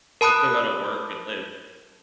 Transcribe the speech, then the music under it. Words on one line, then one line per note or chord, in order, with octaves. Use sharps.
you still gotta work and live.
A#4 A5 B5 D#6 F#6